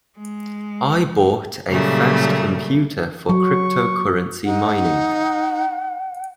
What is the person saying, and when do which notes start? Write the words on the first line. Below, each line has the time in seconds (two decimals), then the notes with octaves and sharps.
I bought a fast computer for cryptocurrency mining.
0.18 G#3
1.69 A#2 C#3 F#3 G3 A3 A#3
3.29 F#3 C#6
4.45 D#4 F#5